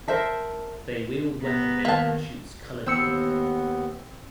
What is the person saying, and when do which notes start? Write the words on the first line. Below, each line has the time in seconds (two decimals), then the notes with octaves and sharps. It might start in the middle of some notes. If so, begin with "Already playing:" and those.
They wield weaponry that shoots colored ink.
0.08 A#4 C5 E5 A5
1.42 C3 B3 A#5
1.85 D#3 A#3 A5
2.86 D#2 B3 C4 E6 C#7